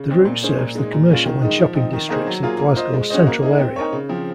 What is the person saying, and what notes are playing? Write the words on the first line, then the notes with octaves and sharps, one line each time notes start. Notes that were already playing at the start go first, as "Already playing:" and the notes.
The route serves the commercial and shopping districts of Glasgow's central area.
Already playing: C#3
G#3 C4
A#2
G#3 C#4 G#4 C5
A#2
G#3 D#4
A#2
G#3 C#4 F4
D#3
G#3 D#4
F3
C4 D#4
D#3
A#3 D#4 G#4 C5
F#3
A#3 F4 G#4
A#3
F4 C5 D#5
G#3
C#4 F#4 C5 D#5
A#3
D#4 G#4
C4
D#4 A#4 C#5
C#3
F3 C4